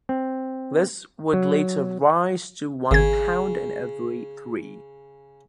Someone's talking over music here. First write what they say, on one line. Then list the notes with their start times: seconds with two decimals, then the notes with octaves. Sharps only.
This would later rise to one pound in every three.
0.09 C4
1.33 F#3
2.91 G#1 C#3 G#6